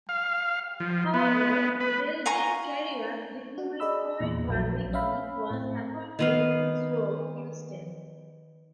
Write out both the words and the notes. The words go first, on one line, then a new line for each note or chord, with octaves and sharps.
However Belgian career diplomat Koen Vervaeke was appointed to this role instead.
F5
F3
B3
B4
F5 G#5 A#5 C#6
F#4
G#4 D5 D#5 B5 E6
E2 A#2
A#1 F#3
C#4 E5 F5 B5
A2 C4
D#3 B3 F5